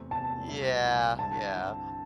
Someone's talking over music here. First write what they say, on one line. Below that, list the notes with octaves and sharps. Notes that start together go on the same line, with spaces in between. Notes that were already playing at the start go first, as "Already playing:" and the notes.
Yeah. Yeah.
Already playing: E2 C3 A3 C4
E2 C3 A3 C4 A5
C2 C3 A3 E4
C2 C3 A3 E4
G2 D3 C4 E4 A5
G2 D3 C4 E4